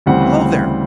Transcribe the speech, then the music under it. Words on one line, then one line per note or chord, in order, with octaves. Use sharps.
Below there!
D2 C#3 E3 G3 C4 F#5